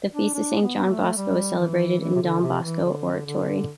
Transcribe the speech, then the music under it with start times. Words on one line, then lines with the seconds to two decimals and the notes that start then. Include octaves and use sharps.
The feast of Saint John Bosco is celebrated in the Don Bosco Oratory.
0.13 D4
0.34 D4
0.61 B3
0.89 A3
1.17 G3
1.59 E3
2.00 E3
2.15 C3
2.21 D3
2.42 C3
2.63 E3
2.84 D3
3.26 D3